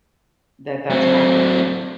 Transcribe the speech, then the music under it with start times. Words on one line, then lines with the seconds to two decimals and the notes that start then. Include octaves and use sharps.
that that's happening,
0.90 F#3 C4